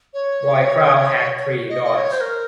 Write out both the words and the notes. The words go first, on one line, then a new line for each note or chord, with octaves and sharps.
Roy Kral had three daughters.
C#5
D#5
D#5
C#5
C5
A#4